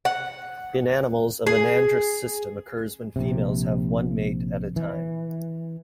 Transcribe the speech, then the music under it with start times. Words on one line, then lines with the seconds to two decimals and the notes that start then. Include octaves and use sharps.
In animals, a monandrous system occurs when females have one mate at a time.
0.05 F#5
1.47 G#4
3.16 A#1 C3
4.76 E3